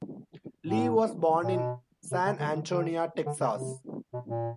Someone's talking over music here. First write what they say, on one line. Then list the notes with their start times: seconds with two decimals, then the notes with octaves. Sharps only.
Lee was born in San Antonio, Texas.
0.67 A2
1.44 A#2
1.54 B2
2.11 C3
2.26 C#3
2.39 D3
2.55 D3
2.68 D3
3.26 D3
3.41 C#3
3.55 C3
4.13 B2
4.28 A#2